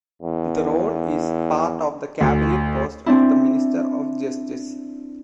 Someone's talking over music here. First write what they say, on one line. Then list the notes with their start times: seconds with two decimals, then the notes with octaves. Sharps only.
The role is part of the cabinet post of the Minister of Justice.
0.22 E2
2.21 D2
3.06 C4 D4 E4